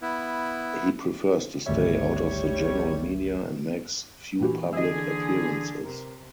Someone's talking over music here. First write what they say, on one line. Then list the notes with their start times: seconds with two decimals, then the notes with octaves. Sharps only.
He prefers to stay out of the general media and makes few public appearances.
0.02 B3 E4
1.66 G#1 D2 G3 C#5 E5
4.41 A#2 E3 A#3 F#4 G4
4.73 D3 G#4 D#5 E5
5.84 C3 A#4